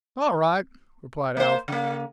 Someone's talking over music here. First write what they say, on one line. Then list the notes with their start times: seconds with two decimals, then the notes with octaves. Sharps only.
"All right," replied Alf.
1.37 A#3 C5
1.68 C#3 A#3